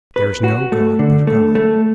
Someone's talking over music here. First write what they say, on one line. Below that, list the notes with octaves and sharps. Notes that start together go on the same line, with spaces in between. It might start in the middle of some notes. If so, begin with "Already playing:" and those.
There is no god but God.
B4
F#4
A3
D3
A3
A3